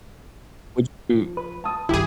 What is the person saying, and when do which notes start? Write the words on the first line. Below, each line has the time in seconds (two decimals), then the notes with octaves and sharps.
Would you
1.15 F3
1.37 B4
1.64 A5 D#6
1.89 G2 D#3 E4 F4 G4 G#4